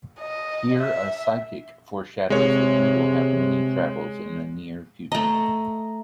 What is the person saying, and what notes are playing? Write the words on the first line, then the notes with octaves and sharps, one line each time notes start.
Here a psychic foreshadows that he will have many travels in the near future.
D#5
E5
C3 G#3 C#5
A3 D#5 A#5